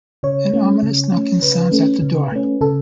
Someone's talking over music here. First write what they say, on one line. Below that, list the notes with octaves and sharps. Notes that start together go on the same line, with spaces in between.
An ominous knocking sounds at the door.
C#3 C#5
A3 C#4
C#3
A3 C#4
C#3 B4
A3 C#4
C#3
A3 C#4
C#3 A4